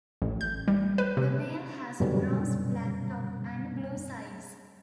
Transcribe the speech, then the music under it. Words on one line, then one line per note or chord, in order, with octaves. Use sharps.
The male has a bronze-black top and blue sides.
A1
G6
G3
B4
C3
F#2 B2 D3 G3 C#4